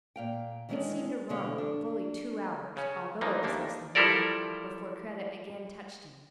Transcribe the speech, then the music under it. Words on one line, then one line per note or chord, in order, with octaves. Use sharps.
It seemed to Ronald fully two hours, although it was less than one, before Kreta again touched him.
A#2 F5 G5
D#3 E3 G#3 B3 C#4 D4
D2 B2 D3 G4 C#5 F5
D4
C#3 C#4
E3 F3 G3 A#3 D#4
D#2 A3 A#3 D4
F3 G3 E4 A4 A#4 D5